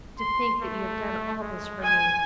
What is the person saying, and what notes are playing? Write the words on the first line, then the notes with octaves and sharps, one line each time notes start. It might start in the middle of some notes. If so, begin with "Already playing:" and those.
"To think that you have done all this for me."
C6
A3
G#3
G#5